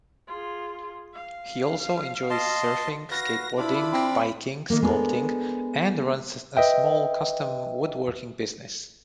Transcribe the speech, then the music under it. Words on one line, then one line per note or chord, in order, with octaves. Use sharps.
He also enjoys surfing, skateboarding, biking, sculpting, and runs a small custom woodworking business.
F4 G#4
F5
D#5 A5 C6
F#4 B4 F5 A#6
D4 E4 F4 B5 D6
C4
D#3 A#3
G#3 B3 D4 A4 A#4
B4 D#5 E5 G5